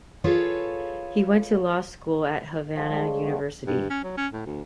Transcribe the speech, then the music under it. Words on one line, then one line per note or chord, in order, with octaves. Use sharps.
He went to law school at Havana University.
F4 G#4 A4 B4 C#5 F5
D#3 F3 G#3
G3 G#3
C5 C#5 F5
D#3 F3 A3 B3
G2
C#4
F#3
C#4
A2
D2